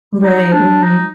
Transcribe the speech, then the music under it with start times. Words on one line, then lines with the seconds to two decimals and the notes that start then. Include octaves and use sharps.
Right, mhm.
0.23 D#4
0.53 D4
0.84 D#4